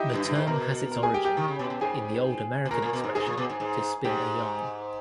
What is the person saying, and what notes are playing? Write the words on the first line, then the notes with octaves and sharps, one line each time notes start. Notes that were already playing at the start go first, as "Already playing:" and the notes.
The term has its origin in the old American expression "to spin a yarn".
Already playing: D#4 E4 G4 D#5 E5 G5
G2
G2
G#2
B2 A#4 A#5
A#4 A#5
G#4 G#5
G4 G5
G4 G5
D#3
C#3
B2
B2
G#2 G#4 G#5
B2
A#2 A#4 A#5
A#2
B2
G#2
G#2 G#4 G#5
A#2
B2
G#2
G#2
G#2 G4 G5